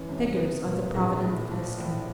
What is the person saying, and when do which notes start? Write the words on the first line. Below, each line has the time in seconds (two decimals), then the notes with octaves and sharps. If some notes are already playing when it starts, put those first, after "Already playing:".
Figures are the providence of history.
Already playing: F#2 E3 C#4
0.09 C3
0.37 B3
0.65 A#2
0.94 A#1
1.22 A2
1.50 F3
1.79 A2